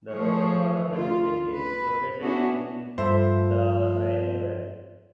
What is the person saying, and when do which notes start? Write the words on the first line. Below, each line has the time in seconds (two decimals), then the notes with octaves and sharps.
The western part of the district is located in the Rhine valley.
0.11 F3 A3 G#4 C#5
0.90 D2 F4
1.51 B4
2.22 B3 C#4 D4 E4 F#4
2.98 G2 F3 A4 C5 E5 C6